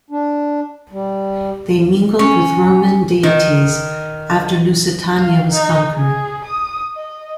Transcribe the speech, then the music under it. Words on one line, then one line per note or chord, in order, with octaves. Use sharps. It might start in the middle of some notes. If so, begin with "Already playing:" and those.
They mingled with Roman deities after Lusitania was conquered.
D4
G3
C#4
D#3
F5
D#4
G#4
D#6
D#5